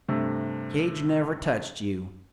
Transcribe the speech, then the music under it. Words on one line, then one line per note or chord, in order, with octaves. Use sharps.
Cage never touched you!
G2 C3 A3